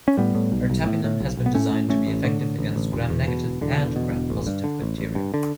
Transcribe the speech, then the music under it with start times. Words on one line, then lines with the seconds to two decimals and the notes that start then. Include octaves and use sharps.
Ertapenem has been designed to be effective against Gram-negative and Gram-positive bacteria.
0.08 C#4
0.17 A2 G3 B3
0.35 A2
0.52 B1
0.70 B1
0.86 A2
1.04 A2
1.20 B1
1.37 B1
1.46 B3
1.54 A2 A3 C#4
1.73 A2
1.89 A1 A3 C#4
2.07 A1
2.24 A2 D3
2.41 A2
2.59 A1
2.76 A1
2.92 E1
3.10 E2
3.27 B2
3.43 E1
3.61 E1 D3
3.78 E2
3.96 B2
4.12 E1
4.30 A1
4.47 G2
4.64 D3
4.82 A1
4.98 A1
5.15 G2
5.34 D3